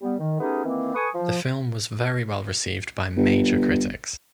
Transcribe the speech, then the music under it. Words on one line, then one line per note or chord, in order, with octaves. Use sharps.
The film was very well received by major critics.
G3 B3
D#3
A3 B3 C#4 D#4 G4 G#4
D#3 E3 A#3 C4
A4 B4 G#5 C#6 D#6
F3
G1